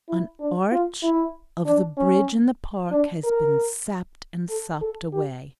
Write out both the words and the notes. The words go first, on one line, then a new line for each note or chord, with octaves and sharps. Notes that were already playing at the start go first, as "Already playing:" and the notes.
An arch of the bridge in the park has been sapped and sopped away.
E4
D4
F4
E4
D4
C#4
D4
A#4
A4
A4
G4